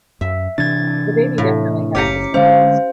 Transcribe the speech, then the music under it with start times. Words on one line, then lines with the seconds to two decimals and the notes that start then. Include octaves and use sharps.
The baby definitely has the sniffles.
0.21 F#2 E5
0.58 C3 E3 D4 G#6 A6
1.38 A2
1.95 F#1 C#4 G4 A#5 D6 B6 C#7
2.34 D3 G#3 C#4 C5 F5